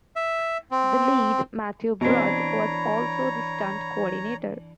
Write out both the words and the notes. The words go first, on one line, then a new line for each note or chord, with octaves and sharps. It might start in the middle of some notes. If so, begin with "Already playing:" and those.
The lead, Matthew Bruch, was also the Stunt Coordinator.
E5
C4
B2 E3 C4 D4 C#5 A#5 B5